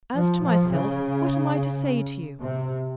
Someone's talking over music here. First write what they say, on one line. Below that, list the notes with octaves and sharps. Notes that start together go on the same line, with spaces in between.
As to myself, what am I to say to you?
F3
F3
C#3
C3